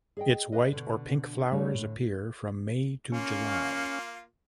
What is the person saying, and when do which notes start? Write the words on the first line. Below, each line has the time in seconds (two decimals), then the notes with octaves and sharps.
Its white or pink flowers appear from May to July.
0.17 G#4 D#5 G5
0.52 D4 B4 D#5
0.72 B2 D3
1.52 D#3 G3 A3 B3 C#5
1.73 A2 D3
3.12 A#3 C#4 F4